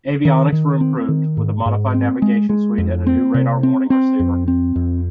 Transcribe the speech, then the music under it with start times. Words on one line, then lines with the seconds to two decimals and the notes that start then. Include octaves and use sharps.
Avionics were improved, with a modified navigation suite and a new radar-warning receiver.
0.25 D#3
0.52 D#3
0.81 C4
1.09 D#3
1.37 G#2
1.66 G#2
1.94 C4
2.22 G#3
2.49 G#3
2.78 F2
3.07 C4
3.34 C3
3.63 C4
3.90 C4
4.19 F2
4.48 C4
4.76 F2